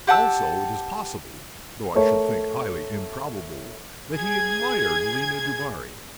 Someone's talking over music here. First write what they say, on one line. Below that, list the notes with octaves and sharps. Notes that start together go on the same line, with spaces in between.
Also it is possible, though I should think highly improbable, that he admired Lena Dubarri.
G4 F#5 A5 E6
A3 A#4 C#5
G#4 G#6